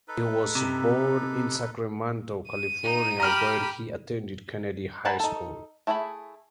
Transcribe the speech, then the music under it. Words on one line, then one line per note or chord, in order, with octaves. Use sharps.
He was born in Sacramento, California, where he attended Kennedy High School.
D#4 A4 B4
C3
D#7
D#4
G4 A#5 B5 F6
A#4 B4 F#5 G#5 A5
D#4 A4
A3 E4 G#4 A#4 B5